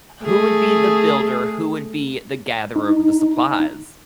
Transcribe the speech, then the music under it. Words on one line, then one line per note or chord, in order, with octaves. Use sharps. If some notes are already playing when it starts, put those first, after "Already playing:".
who would be the builder, who would be the gatherer of the supplies?
A3 G#4
D#4